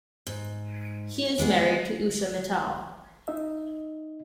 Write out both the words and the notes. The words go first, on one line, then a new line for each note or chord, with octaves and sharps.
He is married to Usha Mittal.
G#2
E3 G#3 B3 G#4
D#4 D#5 E5